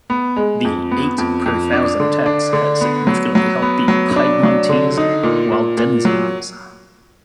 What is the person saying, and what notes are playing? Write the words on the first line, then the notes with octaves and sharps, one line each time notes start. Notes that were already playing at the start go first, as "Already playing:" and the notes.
The eight-per-thousand tax has significantly helped the Piedmontese Waldensians.
B3
G#3
F2
B3
F2
F2
D4
D3
D4
D3
B3
F#3
F#3
B3
F#3
D4
F#3
D3
D#4
A#2
A#2
A#2
F#3